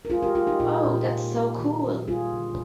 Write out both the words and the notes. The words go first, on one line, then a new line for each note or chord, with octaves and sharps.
Ooh! That's so cool!
A#4
G#3 F4 G#4
G4 A#4
G#3 F4 G#4
D#4 G4
A#2 F4 G#4
A#2
A#3
A#3
D#3
D#3
G3 F4 G#4
D3